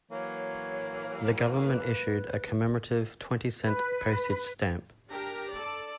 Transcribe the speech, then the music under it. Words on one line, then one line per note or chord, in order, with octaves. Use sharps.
The government issued a commemorative twenty cent postage stamp.
E3 F#3 A#3 C#5
B4
B4
D4 G4 A#4 A#5
A4 D5